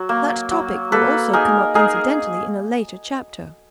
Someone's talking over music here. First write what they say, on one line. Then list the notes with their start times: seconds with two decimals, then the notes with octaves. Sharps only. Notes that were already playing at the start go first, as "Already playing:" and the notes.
That topic will also come up incidentally in a later chapter.
Already playing: F#3
0.09 A#3
0.51 F#3
0.92 A#3 A4 B4
1.33 D#4 G#4 A#4
1.75 D#4 G#4 A#4